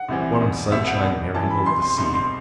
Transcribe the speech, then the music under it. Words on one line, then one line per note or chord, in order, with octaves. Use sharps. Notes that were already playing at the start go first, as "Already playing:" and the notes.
Warm sunshine merrying over the sea.
Already playing: F#5
C2 C3 E3
E2 B2
C2 B2 E5
F#5
E2 B2
F#2 E3 A5
B5
C2 B2 C6
C6
C2 B2 C6
C6